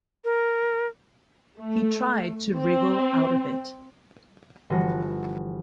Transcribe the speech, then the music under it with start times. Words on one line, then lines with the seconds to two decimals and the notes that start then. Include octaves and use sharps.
He tried to wriggle out of it.
0.24 A#4
1.59 A3
2.56 C4
4.70 G1 E3 F3 F#4 F#5 A#6